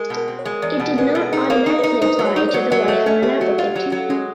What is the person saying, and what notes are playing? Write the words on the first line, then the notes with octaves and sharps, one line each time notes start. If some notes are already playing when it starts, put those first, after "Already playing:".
It did not automatically apply to the wife of an applicant.
Already playing: G#3 A#4
B2
A#4
C4
C#5
G#3
E2 D5
B2
G#3 B4
A#4
B2
A4
D#4 G#4
A#3
A#4
D#4
B4
D#4
D#4 C5
F#3
C#5
D#4
D5
F#3
F#3 D#5
A3 C#5
C#4 A4
A3 G4
F#3 F#4
F4
F#3
C#4
F#3
G#3 C#4